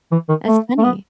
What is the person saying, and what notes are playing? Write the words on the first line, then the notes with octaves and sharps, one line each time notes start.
That's funny.
E3
D#3
A3
A3
B3